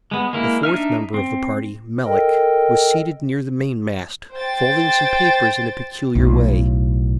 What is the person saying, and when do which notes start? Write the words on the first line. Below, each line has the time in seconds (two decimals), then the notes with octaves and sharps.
The fourth member of the party, Melick, was seated near the mainmast, folding some papers in a peculiar way.
0.11 G#3 B3
0.33 G#3 A#3 E4
0.63 D4 D#4 E5 F6
1.14 C4
2.06 A4 A#4 D#5 G5
4.32 C5 G5 A6
6.15 B1 A2